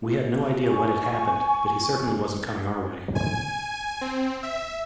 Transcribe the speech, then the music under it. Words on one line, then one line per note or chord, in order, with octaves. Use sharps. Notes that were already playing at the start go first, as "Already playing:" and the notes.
We had no idea what had happened, but he certainly wasn't coming our way.
G#5 C#6
G#5
C4
E5